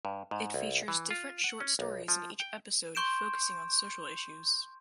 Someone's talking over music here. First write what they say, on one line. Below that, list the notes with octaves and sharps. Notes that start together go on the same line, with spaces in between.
It features different short stories in each episode focusing on social issues.
G2
G#2
C2
E3
F4
F#5
C#4
B1
F3
G5
C6 C#6 G6 D7 E7